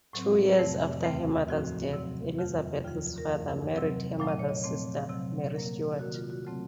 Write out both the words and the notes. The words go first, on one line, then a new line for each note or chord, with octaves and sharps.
Two years after her mother' death, Elizabeth's father married her mother's sister, Mary Stuart.
A2 F#3 C4
F2 C3 F3 A3 C4
D#2 C#3 A3 C4
A2 F3 C4 F#4
C3 F#3 C4
F2 D#3 F#3 A3 F4
D#2 C#3 F3 F4
A#4
F#2 F3 A3 F5
C3 F#3 C4
A#2 F#3 A3 F5
D#5
C#5
D#5
A#2 F3 A3 C4
C3 F#3 C4
A#2 F#3 A#3 A#4
C3 D#3 A#3 F#4
F4
F#4
C#3 F#3 A3 C4